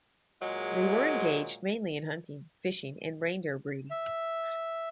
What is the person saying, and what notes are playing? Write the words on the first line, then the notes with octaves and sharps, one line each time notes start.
They were engaged mainly in hunting, fishing, and reindeer breeding.
A#2 F#3 G#3
E5